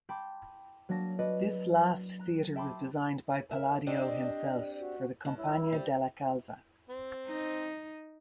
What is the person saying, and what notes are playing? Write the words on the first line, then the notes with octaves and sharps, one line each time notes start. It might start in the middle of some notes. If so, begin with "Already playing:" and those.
This last theatre was designed by Palladio himself, for the Compagnia della Calza.
G5 A5 B5 C6 D6 G6
F#3 A#3 D4 A5 A#6
D4 F#4 B4 D5 D#5
A#5 F#6
E5 G5 A5 B5 C6 D6
A#4 E5
C4 D4 G4 D5 D#5
F#4
G2 D#5 A5
E4 C#5
G3 C5
C4
D#4